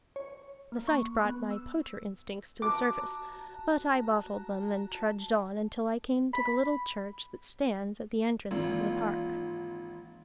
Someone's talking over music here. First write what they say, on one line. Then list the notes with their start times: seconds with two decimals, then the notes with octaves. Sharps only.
The sight brought my poacher instincts to the surface, but I bottled them, and trudged on until I came to the little church that stands at the entrance to the park.
0.16 C#5
0.72 A#3
0.87 C#6
1.24 B3
1.51 E6
2.62 F#4 A5 A#5 D6
6.33 B5
8.51 G#1 E3 G#3 A#3 F4